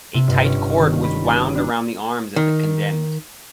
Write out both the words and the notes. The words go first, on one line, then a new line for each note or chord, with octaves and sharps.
A tight cord was wound around the arms of the condemned.
C3
G1
C#4
D#3
B5
A5
D4
D#3